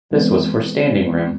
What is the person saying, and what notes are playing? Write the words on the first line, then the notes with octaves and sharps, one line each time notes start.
This was for standing room.
E3 G#3 B3 C4